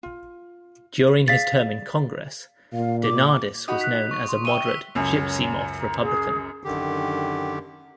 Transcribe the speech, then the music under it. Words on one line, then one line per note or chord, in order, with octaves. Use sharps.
During his term in Congress DeNardis was known as a moderate "Gypsy Moth" Republican.
F4
G#4 D5 F5 A6 B6
A#2 F5
D6
D#4 F#4 B5 D#6
F#6 B6
C#6
C6
C#5 E5 G5 D#7 G7
E6 F#6 B6
C#2 F#2 C#5
A#5
G#4
F#2 D3 D#3 G4